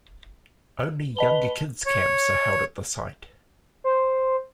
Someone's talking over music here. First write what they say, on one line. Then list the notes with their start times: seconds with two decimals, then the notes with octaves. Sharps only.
Only younger kids camps are held at the site.
1.17 B4 D#5 A5 G7
1.86 C#5
3.84 C5